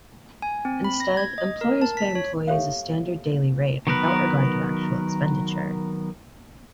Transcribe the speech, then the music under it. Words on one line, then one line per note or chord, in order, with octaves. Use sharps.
Instead, employers pay employees a standard daily rate without regard to actual expenditure.
G#5
C4
B5
A#6
G#6
D#5
A#4
A5
B6
C#5
G4 A4 C#5 E5 F5
D#3 F#3 B3 A#4 B4